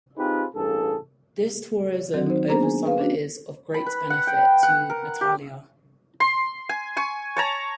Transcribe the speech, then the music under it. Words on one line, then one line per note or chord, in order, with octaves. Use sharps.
This tourism over summer is of great benefit to Nathalia.
C4 D#4 F4 G4 G#4 B4
A1 G2 A#3 G#4 A4
D#3 F#3 C4 F#4
D#4 C5
A#3 B3 D4 G#4 C5 A#5
G#4 G#5
G#4 B4 F5
C#4 D4 F#4
B5
B4
F#5
G5
F#5
A#4
G4
C6
G#5
G#5 C#6
C#5 A5 A#5